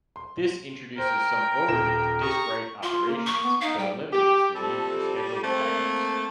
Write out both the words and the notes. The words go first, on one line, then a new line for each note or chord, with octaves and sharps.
This introduces some overhead to disk-write operations but eliminates the need for scheduled backups.
C6
A#4 C5 G5
D#1 E7
G4 A#5 C#6 D#6
F4 C6
A#3
C#6
B3
D#4 F5
G3 G5
G4
C3 F3 G3 A4
A3 A#3 C4